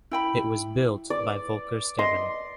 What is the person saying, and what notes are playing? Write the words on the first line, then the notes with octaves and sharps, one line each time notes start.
It was built by Volker Stevin.
E4 G5 B5
D5
D#5 C6